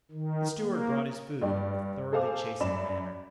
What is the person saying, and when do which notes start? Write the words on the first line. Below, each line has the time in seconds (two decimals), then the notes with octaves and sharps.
The steward brought his food in a thoroughly chastened manner.
0.11 D#3
0.59 A#3
1.42 G2 G4 D5
2.12 G#4 A4 C5 F5 G#5 D6
2.60 F#2 D5 B5 E7